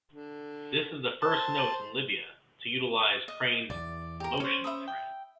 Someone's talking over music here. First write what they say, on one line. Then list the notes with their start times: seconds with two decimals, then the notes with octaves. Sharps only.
This is the first note in Libya to utilize Crane's "Motion" thread.
0.13 D3
1.22 C5 A5
3.28 D#5
3.70 B1 E2 D5
4.20 G4 A#4
4.40 C#4 C5 C#5
4.64 E5 B5 D#6
4.88 G5